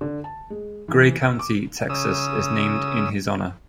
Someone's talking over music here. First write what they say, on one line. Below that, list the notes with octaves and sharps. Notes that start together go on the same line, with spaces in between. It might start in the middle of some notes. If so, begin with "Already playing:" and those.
Gray County, Texas, is named in his honor.
D3
A5
G#3
E3
E6
D6
C#3 D#6 E6